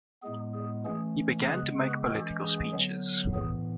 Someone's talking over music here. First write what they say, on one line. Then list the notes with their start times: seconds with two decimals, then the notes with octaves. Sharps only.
He began to make political speeches.
0.22 A2 G#3 B3 G#4
0.54 G#4
0.85 E3 A3 C#4 G#4
1.47 C#3 G#3 B3 G#4 B4
1.78 G#4 B4
2.09 E3 G#3 C#4 F#4 A4
2.41 G#4
2.72 D3 F#3 B3
3.34 A2 E3 B3 G#4